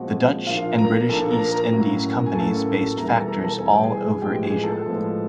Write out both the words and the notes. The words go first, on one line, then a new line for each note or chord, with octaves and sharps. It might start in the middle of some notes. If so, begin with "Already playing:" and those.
The Dutch and British East Indies companies based factors all over Asia.
Already playing: A#2 F3 G#3 C4 F#4 F#5
A#2 F3 A#3 D4 F4 F5
A#4 A#5
A#2 F3 A#3 D4 A4 A5
A#4 A#5
A#4 A#5
A2 F#3 A#3 C#4
G#5
A2 F#3 A#3 C#4 A4 A5
E2 B2 G3 B3 E4 A#4 A#5
G#5
A4 A5
A#4 A#5
A4 A5
E2 B2 G3 B3 E4 G#5
G5
G#4 G#5
A2 F3 G#3 B3 G4 G5
G#4 G#5
A4 A5
A2 F3 G#3 B3